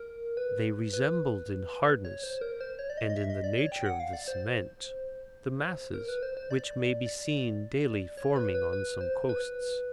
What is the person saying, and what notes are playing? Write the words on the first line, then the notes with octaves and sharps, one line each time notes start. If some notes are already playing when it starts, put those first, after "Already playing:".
They resembled in hardness, and in the nature of the cement, the masses which may be seen daily forming on some coasts.
Already playing: A#4
B4
B4
C#5
C5
A#4
C5
C#5
D5
D#5
D#5
E5
D#5
D5
C#5
G5
F#5
F5
D5
C5
A#4
B4
C5
C5
D5
D5
C#5
B4
B4
B4
C5
B4